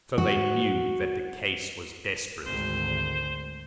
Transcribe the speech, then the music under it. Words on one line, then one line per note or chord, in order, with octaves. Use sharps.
So they knew that the case was desperate.
F#4
G#1 D2 C5